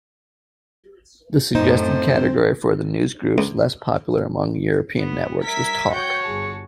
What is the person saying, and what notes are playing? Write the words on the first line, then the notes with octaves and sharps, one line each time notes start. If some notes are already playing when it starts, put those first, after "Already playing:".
The suggested category for the newsgroups less popular among European networks was talk.
F#2 A2 C4 D#4 C5
C#2
B3
G3 A#4 E5 G#6 B6
F#4 C#5 G5 G6
G1 G#4 A5